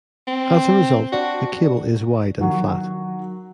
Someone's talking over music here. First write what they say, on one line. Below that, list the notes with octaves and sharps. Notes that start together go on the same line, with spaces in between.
As a result the cable is wide and flat.
C4
D4 F#4
D#3 F#3 F#4